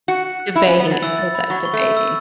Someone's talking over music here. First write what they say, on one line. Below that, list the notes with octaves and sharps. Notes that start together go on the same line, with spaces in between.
Dhivehi, that's it, Dhivehi.
F#4 C#7
F#6
F#6
E4 B5
C#4
B5
B3
F#3 A6
E3 E6
A6
B5
F#3 C#6
C#6
A3
E6
E6